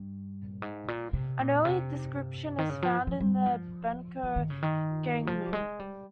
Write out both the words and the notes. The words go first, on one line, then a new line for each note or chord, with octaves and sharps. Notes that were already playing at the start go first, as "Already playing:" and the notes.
An early description is found in the Bencao Gangmu.
Already playing: G2
G#2
A#2
C3
A#2
C3
D#3
C#3
F3
F3
G3
F3
F3
D#3
C#3
D#3
F3
G#3
G3